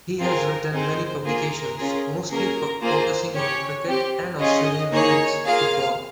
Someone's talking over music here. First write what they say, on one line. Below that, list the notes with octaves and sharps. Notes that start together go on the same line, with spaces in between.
He has written many publications, mostly focusing on cricket and Australian rules football.
C4 F4 G#4 A#4
C4 D#4 G#4 C5
A#3 F4 G#4 A#4
C#4 F4 G#4
A#3 C#4 G#4 A#4
A#3 F4 G#4 C5
C#4 G4 C#5
C4 G4
C#4 F4 G#4 D#5
A#3 D#4 G#4 C#5
A#3 F4 G#4 F5